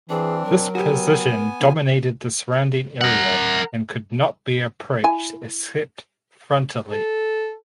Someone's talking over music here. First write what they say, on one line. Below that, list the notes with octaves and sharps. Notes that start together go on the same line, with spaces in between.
This position dominated the surrounding area and could not be approached except frontally.
E3 C4 D4 G#4
F#3 A#4
B3 F#4 G4 G#5
D3 E3 F3
A#4 F#5
E4 G#5
A4